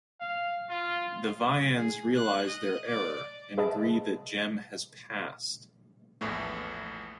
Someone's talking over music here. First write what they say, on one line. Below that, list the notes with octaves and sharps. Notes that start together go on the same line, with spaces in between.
The Vians realize their error, and agree that Gem has passed.
F5
F4
G#4
F#6
D#5
D5
G#4 B4 D#5 E5 A5
A#1 E2 A2 E3 A3